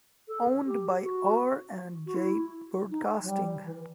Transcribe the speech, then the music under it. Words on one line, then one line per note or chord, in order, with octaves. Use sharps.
Owned by R and J Broadcasting.
A4
G4
F#4
F#4
E4
D#4
F#3
G3
E3